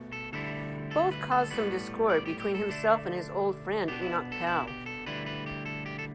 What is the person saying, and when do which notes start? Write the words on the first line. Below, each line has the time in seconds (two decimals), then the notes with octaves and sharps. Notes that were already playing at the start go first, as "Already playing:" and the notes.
Both caused some discord between himself and his old friend Enoch Powell.
Already playing: B2 A3
0.12 A4
0.33 D2 D3 G3 E4 A4
0.91 A4
1.11 B4
1.31 A4
1.50 A2 G3 B3 B4
2.10 D5
2.26 G4
2.40 G4
2.55 A4
2.69 D3 A3 D4
3.88 B2 B3 D4 G4
4.03 E4
4.32 A4
4.47 E4
4.67 G4
4.86 A4
5.06 D2 D3 G3 E4 B4
5.26 B4
5.46 G4
5.66 A4
5.86 G4
5.99 A4